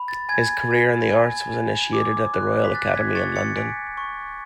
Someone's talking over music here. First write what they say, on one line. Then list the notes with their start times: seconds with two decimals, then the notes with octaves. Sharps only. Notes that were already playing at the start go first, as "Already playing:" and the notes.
His career in the arts was initiated at the Royal Academy in London.
Already playing: B5
0.08 A6
0.29 G#5 G#6
0.71 G#5
1.11 G#5
1.52 G#5
1.93 D6
2.33 F#6
2.64 B6
2.75 F#6 A6
2.95 G#6 B6
3.15 C#6 A6 C#7
3.36 A6 C#7
3.56 G#5 B6 D7
3.97 C#6